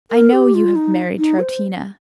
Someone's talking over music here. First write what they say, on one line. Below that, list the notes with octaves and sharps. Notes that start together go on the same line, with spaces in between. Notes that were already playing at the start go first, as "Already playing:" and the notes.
I know you have married Troutina.
A#4
G4
F4
D#4
D#4
C5